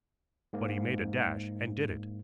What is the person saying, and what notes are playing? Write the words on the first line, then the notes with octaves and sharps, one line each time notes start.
But he made a dash and did it.
G#2 A#3